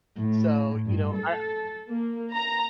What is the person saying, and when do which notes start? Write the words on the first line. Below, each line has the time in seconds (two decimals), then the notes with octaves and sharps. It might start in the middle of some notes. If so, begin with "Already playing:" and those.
So, you know, I
0.18 A2
0.87 G2
1.16 A4
1.90 A#3
2.35 A#5